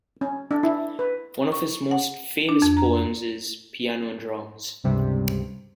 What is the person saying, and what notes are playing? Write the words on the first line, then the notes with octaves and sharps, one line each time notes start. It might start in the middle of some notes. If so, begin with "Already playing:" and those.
One of his most famous poems is "Piano and Drums".
C#4
D4
E4
B4
C#6
F#5
D4
F2
A#5
C#2 G2 C3 G3